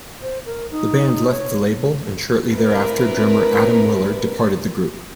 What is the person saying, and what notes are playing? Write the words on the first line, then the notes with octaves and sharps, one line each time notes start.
The band left the label, and shortly thereafter drummer Atom Willard departed the group.
C5
A#4
D#4
C#5
C4 D4 E4 A#4 B4